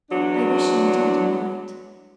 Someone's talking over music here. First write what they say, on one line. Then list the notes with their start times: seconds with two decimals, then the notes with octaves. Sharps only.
"I wish indeed you might."
0.11 E2 F#3 D4